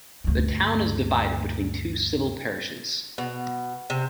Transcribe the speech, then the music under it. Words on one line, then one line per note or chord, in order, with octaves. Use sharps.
The town is divided between two civil parishes.
D2 G2
B2
C3